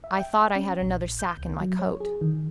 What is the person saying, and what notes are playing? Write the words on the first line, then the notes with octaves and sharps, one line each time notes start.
I thought I had another sack in my coat.
E5
G5
C#4
A#1
G6
C#2
F#3
C#5
G#4
D#3